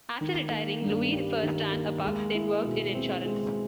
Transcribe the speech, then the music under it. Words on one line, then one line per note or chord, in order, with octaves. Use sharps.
After retiring, Lewis first ran a pub, then worked in insurance.
D#3
A#3
G2
G3
D#3
A#3
G#3
E4
B2
C4
G#3